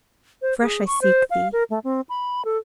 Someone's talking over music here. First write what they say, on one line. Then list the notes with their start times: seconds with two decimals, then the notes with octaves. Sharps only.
Afresh I seek thee.
0.42 C5
0.62 G#4
0.87 C#6
1.01 C5
1.30 F5
1.52 A#4
1.70 A3
1.84 C4
2.09 B5
2.45 A4